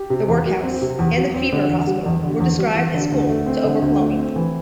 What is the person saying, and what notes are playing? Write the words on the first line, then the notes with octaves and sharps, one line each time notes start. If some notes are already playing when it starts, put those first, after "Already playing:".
The Workhouse and the Fever Hospital were described as full to overflowing.
Already playing: G4
C3
E2
F#3
C4
C3
E2
F#3
C4
D3
E2
G3
E2
D3
E2
G3
E2
D3
D2
A3
C4
D3
D2
A3
C4
E3